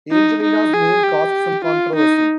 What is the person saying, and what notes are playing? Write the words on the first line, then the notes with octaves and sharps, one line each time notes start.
Angelina's name caused some controversy.
D#4
D#4
G#4
G4
F4
D#4